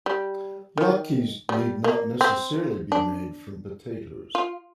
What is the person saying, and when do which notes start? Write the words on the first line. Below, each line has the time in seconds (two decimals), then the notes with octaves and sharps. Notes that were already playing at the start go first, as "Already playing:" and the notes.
Latkes need not necessarily be made from potatoes.
0.06 G3
0.78 D#3
1.49 G3
1.84 A#3
2.21 C4
2.92 D4
4.35 F4